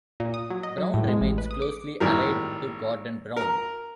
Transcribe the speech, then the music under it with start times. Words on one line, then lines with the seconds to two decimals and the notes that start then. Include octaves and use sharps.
Brown remains closely allied to Gordon Brown.
0.20 A#2
0.34 D#6
0.50 F#3
0.63 D#5
0.78 F#3
0.94 A2
1.09 G#3
1.21 A1
1.38 B4
1.51 D#6
1.62 D6
2.00 G#1 A2 G3 A#4
3.36 A#4 A#5